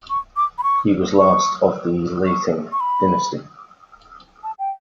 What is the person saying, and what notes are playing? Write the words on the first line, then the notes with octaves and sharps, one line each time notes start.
He was the last of the Lething Dynasty.
C#6
D6
B5
C#6
C#6
C#6
C#6
B5
A5
G5